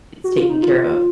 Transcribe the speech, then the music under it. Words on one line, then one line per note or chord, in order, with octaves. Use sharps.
it's taken care of."
F#4
F4
D#4
F4